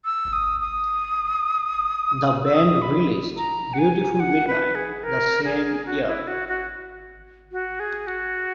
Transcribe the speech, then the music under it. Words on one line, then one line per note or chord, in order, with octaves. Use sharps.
The band released "Beautiful Midnight" the same year.
E6
D#6
D#6
E6
D#6
B5
A#5
F#5
G#5
G#5
F#5
B4
G#4
A#4
G#4
F#4
E4
F#4
F#4
F#4
G#4
F#4